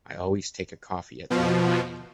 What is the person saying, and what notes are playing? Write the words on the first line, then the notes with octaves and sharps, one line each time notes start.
I always take a coffee at the end of my meal.
B2 F3